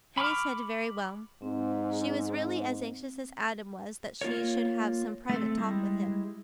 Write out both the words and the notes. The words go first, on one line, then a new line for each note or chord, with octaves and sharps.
Hetty said, "Very well." She was really as anxious as Adam was that she should have some private talk with him.
B5 C#6 D6 F6
G#2 C4
A#3 F4 A#4 C#5
A3 C4 A4
G3 G#3 E4